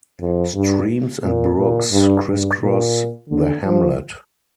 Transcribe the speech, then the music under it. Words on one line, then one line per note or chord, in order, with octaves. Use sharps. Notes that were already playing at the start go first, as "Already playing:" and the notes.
Streams and brooks criss cross the hamlet.
F2
G2
A#2
A#2
G2
G2
A#2
D3
F3